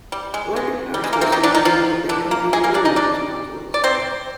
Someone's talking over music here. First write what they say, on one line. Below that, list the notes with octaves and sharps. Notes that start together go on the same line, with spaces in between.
Larger power stations will be built by combining many of these modules.
G3
G#3
G#3
G3
G#3
A#3
C3 C4
D#3 D#4
D3 D4
D#3 D#4
F3 F4
D3 D4
A#3
G#3 G#4
A#3 A#4
D4 D5
D#4 D#5
D4 D5
D5
C4 C5